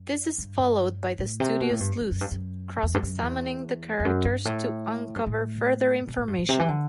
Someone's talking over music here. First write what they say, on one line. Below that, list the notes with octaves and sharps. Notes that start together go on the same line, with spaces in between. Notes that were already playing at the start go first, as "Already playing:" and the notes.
This is followed by the studio sleuths cross-examining the characters to uncover further information.
Already playing: F#2
G2
A2
C3
B2
A2
G2
F#2
F#2
G2
F#2
E2
G2
F#2
E2
E2
F#2
G2
A2
G2
A2
B2
A2
G2
A2
C3
E3
D3